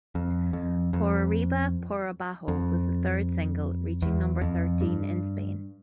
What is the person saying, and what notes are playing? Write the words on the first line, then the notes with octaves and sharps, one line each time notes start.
"Por Arriba, Por Abajo" was the third single, reaching number thirteen in Spain.
F2
F2
F2
F2
E2
F2
G2